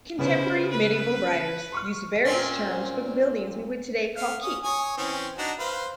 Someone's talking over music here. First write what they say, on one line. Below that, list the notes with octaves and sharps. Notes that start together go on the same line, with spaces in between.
Contemporary medieval writers used various terms for the buildings we would today call keeps.
C#3 B3 C#4 E4 C5
B4
C6 C#6 F6
A#2 C4 C#4
A3 F5
C#4 D#6
C#5 G#5 D#6
E3 C4 C#4
D4 D#4 F#4
B4 C5 F5